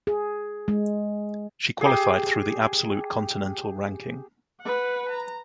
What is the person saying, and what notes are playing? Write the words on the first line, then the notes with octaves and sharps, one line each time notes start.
She qualified through the Absolute Continental Ranking.
G#4
G#3
G4 G#4
B4 F#5
A#5